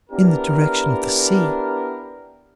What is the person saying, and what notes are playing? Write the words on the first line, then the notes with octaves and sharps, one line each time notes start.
"In the direction of the sea."
B3 D4 E4 G4 A#4